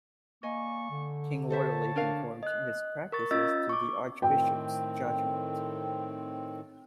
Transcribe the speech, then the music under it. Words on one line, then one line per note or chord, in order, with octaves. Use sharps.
King loyally conformed his practices to the archbishop's judgment.
A#3 D5 D#5 G#5 C#6
D3
A4 C5 C#5 E5 A5
D4 A#4 F5
D#5 F#6
A#4 C#6 A6
C#4 F4 D#5 E6 A6
C#6 D6
A2 D#3 C4 G5